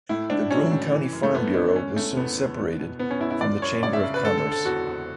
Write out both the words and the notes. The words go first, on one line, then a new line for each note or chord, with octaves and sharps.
The Broome County Farm Bureau was soon separated from the Chamber of Commerce.
A2 E4
A2 D4
F#3 C#4
A2
E3
F#2
A3
F#2 B3
F#2 D4
D3 C#4
E2 A3
E2 B3
E2
E2
B2
E2 B3
C#4
E2 E4
E4
F#2 D5
F#2 C#5
C#3 D5
E5
C#3
B4
D3 A4
A4
D3
A4
E2 F#4
E2